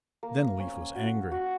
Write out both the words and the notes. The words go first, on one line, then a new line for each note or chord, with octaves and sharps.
Then Leif was angry.
A#3
C#4
F#4
F#4